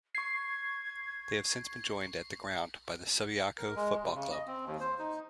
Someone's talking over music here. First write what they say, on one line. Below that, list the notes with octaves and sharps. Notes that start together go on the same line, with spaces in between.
They have since been joined at the ground by the Subiaco Football Club.
C#6 G#6 C7
A#4
G#3
C3
C#3
D#5
C4
D#2
C5
D#4